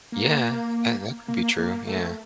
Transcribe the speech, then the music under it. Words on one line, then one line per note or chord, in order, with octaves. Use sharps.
Yeah, that that could be true, yeah.
A#3
A#3
A#3
A3